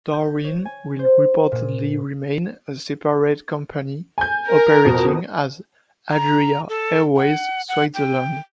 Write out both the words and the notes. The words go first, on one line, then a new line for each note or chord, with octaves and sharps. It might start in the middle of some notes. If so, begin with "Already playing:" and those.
Darwin will reportedly remain a separate company operating as "Adria Airways Switzerland".
G6
C#5
G#5
C5
A#2
G#5 G6
A#4
F2 B2
A#5
A4
F#5
F#5
G5